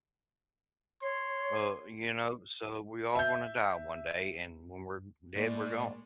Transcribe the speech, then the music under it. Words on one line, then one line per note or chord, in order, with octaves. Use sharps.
uh, you know, so we're all gonna die one day and when we're dead, we're gone.
C#5 C6
E5 G6
A2 G#3 A#3 D5